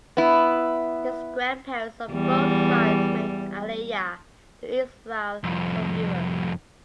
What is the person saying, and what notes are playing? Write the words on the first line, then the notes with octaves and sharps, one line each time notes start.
His grandparents on both sides made Aliyah to Israel from Europe.
B3 E4
E2 G3
C2 F2